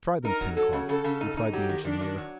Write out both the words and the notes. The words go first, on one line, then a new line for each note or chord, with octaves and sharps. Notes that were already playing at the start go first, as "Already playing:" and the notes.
"Try them, Pencroft," replied the engineer.
D#4 A#4
F#3
F#3 A4
C#3
C#3 A4
C#3
D#4
D#4
F#3 G4
D#3
D#3 D4
D#3
F#3